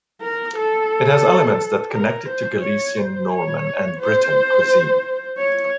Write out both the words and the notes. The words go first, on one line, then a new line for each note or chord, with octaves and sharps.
It has elements that connect it to Galician, Norman and Breton cuisine.
A#4
A4
A#4
C5
C#5
C5
C#5
C5
C#5